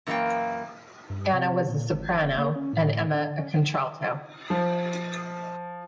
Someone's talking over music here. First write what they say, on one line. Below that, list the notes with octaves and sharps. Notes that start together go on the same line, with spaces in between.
Anna was a soprano and Emma a contralto.
F#2 E3 A#3 C#4 F5 G5
G2
C3
A#2
G#1
E1
A#3
C#4
A2
D3
C#4
F3